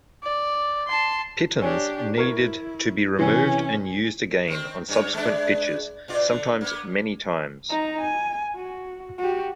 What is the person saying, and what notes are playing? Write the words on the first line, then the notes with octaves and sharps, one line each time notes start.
Pitons needed to be removed and used again on subsequent pitches, sometimes many times.
D5
A5 C6
D4 G4 C#5 G#5
E4 A#4 C#6 G#6
C3 E3 C#4
D#3 C4
G2 C#5
G#3 B3 D4
B2 F4 D5
D3
A#3 B3
D#4 A#5
G#5
F#4
F#4 G4